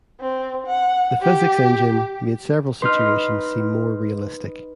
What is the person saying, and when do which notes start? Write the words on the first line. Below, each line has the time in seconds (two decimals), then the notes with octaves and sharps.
The physics engine made several situations seem more realistic.
0.20 C4
0.66 F#5
1.22 G4
2.82 D#4 B4 C6 F6